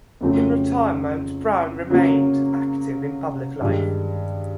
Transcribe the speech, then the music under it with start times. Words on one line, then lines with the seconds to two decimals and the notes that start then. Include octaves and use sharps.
In retirement Brown remained active in public life.
0.21 F2 C#3 F#3 A3 C4
1.90 C#3 F#3 A#3
3.61 G2 D#3 G#3